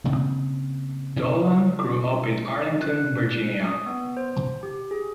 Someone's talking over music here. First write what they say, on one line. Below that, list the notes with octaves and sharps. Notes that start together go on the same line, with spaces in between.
Dolan grew up in Arlington, Virginia.
C#3 A#3 C4
F#6
D#6
B3
C5
G4
G#4